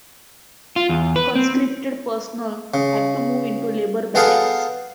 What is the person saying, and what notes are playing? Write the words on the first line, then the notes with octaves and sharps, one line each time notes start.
Conscripted personnel had to move into labour barracks.
F4
E2
B4
C4
C#3
B3 G#4 A4 F5 G5 G#5